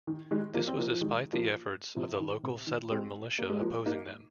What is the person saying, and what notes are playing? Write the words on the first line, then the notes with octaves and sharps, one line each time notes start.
This was despite the efforts of the local settler militia opposing them.
D#3
D#3 G#3
F3 A#3
C4
F3 A#3
F3
D#3 G#3
F3 A#3
C3 F3
D#3
C3
D#3
G#3 C4
A#3
G#3
F3 A#3
A#3 D#4